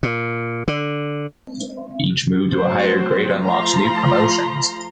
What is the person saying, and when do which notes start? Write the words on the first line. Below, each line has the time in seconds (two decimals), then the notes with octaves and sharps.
Each move to a higher grade unlocks new promotions.
0.03 A#2
0.68 D3
2.50 F#3 A3 C4 F#4 C5
3.40 F3 A3 F4 A#5 C6